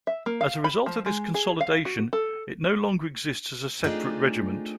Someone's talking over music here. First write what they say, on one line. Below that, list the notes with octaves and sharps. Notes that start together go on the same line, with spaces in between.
As a result of this consolidation, it no longer exists as a separate regiment.
E5
A#3
F5
B5
F3
G#3
G#4
F5
F#4
A4
A3 C4 D4 D#4 F4 G#4